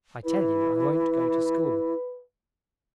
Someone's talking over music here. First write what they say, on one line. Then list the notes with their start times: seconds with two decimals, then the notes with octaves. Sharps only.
"I tell you I won't go to school."
0.25 E4 B4